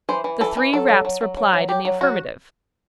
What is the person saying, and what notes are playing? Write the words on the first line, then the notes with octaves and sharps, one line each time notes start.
The three raps replied in the affirmative.
E3 C5
E3
E3 A4
E3
F#3 A4
F#3
F#3
F#3
F#3
F#3
F#3 G4
F#3
F#3 F#4